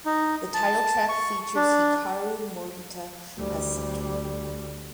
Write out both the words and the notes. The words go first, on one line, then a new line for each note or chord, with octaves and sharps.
The title track features Hikaru Morita as center.
D#4
A5
C#6
D4
D2 G3